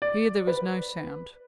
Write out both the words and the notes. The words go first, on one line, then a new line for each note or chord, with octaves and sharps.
Here there was no sound.
D5
B4